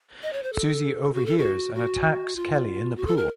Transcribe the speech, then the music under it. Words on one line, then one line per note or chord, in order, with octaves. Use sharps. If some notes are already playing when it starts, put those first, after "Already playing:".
Suzie overhears and attacks Kelly in the pool.
D#5
C#5
C5
A4
F#4
A4
F#4
F#4
F4
F#4
A4
A#4